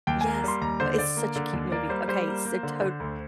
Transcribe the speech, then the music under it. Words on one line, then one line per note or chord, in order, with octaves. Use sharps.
Yes. But it's such a cute movie. Okay, so totally.
D#2 G5
A#3 G#5
A#5
G3 C6
D#2 A#5
D3 C5
D3 D5
A#3
D3
D#2
A#3 D5
G3 C5
G3 C5
A#3
A#3
D3
D3
D2